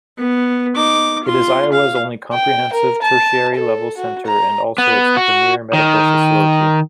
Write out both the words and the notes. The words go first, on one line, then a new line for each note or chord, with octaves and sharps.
It is Iowa's only comprehensive, tertiary-level center and also its premier medical facility.
B3
D#4 D6
F4 C6
F5
G5
A#4
A5
A4
F#4
A#5
B3
F#4
D#3